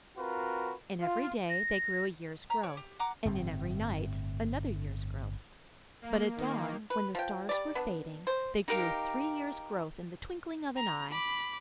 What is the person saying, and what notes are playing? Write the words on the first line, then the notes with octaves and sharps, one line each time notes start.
In every day they grew a year's growth, and in every night another year's growth, but at dawn, when the stars were fading, they grew three years' growth in the twinkling of an eye.
C4 F4 F#4 A#4 B4
F4
A#6
A#5 B5
C#5 D5
G4
F#5 A#5 D6
G1 A2 C4
A#3
D#3 A#3
B4
F3 G5
G3 D5
B3 D4
C5
D#4 G4 A#4 F5
A#5
B5 D6